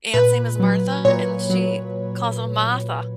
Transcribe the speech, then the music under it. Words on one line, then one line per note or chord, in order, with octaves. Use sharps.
aunt's name is Martha, and she calls her Martha.
A#2 B4
F#3
A#2 C#5
F#3